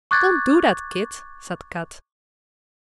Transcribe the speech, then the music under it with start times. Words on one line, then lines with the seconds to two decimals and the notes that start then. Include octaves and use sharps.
"Don't do that, Kit," said Kat.
0.11 C#6 D6 F#6 G#6 A6